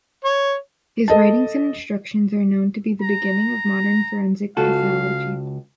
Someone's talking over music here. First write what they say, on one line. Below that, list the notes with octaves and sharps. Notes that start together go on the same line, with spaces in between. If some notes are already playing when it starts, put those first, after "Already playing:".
His writings and instructions are known to be the beginning of modern forensic pathology.
C#5
A4 D#5 A5
A#5
C#2 F#4 A4 F5